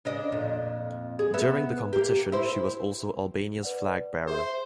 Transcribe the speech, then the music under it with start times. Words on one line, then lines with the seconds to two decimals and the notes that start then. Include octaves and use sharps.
During the competition she was also Albania's flag bearer.
0.05 C#3 D4 D#5
0.32 F2 A#2
1.19 G#4
1.34 B3 E5
1.93 A#3 G4
2.32 E4 C5
3.63 B4 D5 F#5
4.27 G#4 C5 E5